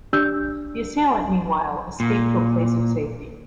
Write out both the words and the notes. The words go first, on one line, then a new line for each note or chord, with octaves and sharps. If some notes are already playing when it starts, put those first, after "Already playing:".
The assailant meanwhile, escaped to a place of safety.
D4 G4 D5 E6 G6
A#2